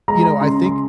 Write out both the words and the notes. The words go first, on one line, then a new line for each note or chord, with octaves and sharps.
you know, I think
G#3 A#5
A#5
C#3 C6
C6